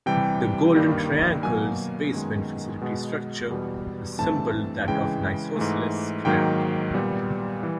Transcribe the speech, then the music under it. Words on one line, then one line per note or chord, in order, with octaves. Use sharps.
The Golden Triangle's basement facility structure resembled that of an isosceles triangle.
C3 E3 G3 G5
G2 D#3 G3 A#3
B2 F#3 A#3 G#5
F#2 D#3 G#3 B3
B2 G#3 B3
E2 B2 G3
G2 E3 A3 C4 A5
C#3 E3 G#3 G5
G#2 E3 A3
G#2 D#3 F#3 A#3 G5
A#2 G3 B3
E3 G3